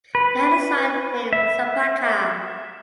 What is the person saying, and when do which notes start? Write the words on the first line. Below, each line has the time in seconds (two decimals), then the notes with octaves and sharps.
They had a son named Sapaca.
0.15 B4
1.33 E5